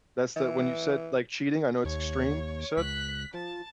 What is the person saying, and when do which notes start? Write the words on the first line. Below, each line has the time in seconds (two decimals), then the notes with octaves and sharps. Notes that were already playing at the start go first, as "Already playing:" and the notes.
That's the when you said, like, cheating, I know it's extreme, you said.
0.36 E3
1.85 D#2 C#5
2.77 C#2 F#6 B6
3.34 F3 A5